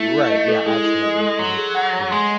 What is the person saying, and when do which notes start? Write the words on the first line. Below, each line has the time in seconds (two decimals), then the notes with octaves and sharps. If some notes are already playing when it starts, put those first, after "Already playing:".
Right, yeah, absolutely, mhm. Mhm.
Already playing: A3 E4
0.11 E4
0.30 D#5
0.48 A4
0.66 G#3 E4
0.84 E4
1.02 D#5
1.20 A4
1.38 F#3 C6
1.57 G#4
1.75 F#5
1.93 C#5
2.11 G#3 C6